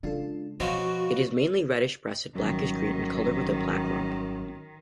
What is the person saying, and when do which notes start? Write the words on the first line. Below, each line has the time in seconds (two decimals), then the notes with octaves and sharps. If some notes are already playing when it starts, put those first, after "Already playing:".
It is mainly reddish-breasted, blackish-green in color with a black rump.
0.03 C#3 G#3 D4 F4 A4
0.60 B2 F3 F#4 C5 C#5 F5
2.35 G#1 F#2 D#3 F#3 G3